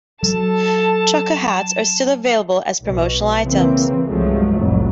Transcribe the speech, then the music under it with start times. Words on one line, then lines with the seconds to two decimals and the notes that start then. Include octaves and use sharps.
Trucker hats are still available as promotional items.
0.23 F#3 A4 A5
2.80 B1 B2
3.42 C#3 E3 A#3 C4
4.07 C2 G2 F3 F#3 G#3 A3
4.55 F1 C2 F2 A2 F#3